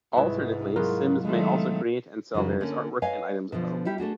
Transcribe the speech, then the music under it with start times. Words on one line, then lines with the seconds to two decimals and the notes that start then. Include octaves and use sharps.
Alternately, Sims may also create and sell various artwork and items at home.
0.16 C2 G#2 G#3 E4 B4
0.76 F#3 B3 F4 G#4 A#4
1.25 D#3 F#3 G#3 A3 B3 C4 F4
2.34 F#2 C#3 E3 G#3 F#4
2.61 D3 A#3 C#4
3.02 B4 C#5 D#5 F5 G#5
3.52 B2 D3 F3
3.85 G3 E4 G4
3.98 A3 D4 F#4 G#4